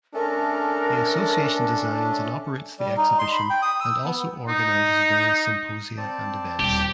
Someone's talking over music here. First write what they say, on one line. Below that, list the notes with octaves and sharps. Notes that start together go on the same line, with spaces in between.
The association designs and operates the exhibition and also organizes various symposia and events.
A3 C#4 D4 A4 A#4
G3
D#4
C6
B5
G5
D#6
E6
B3
D#4
C4 D5 A5
D#1 G4 G5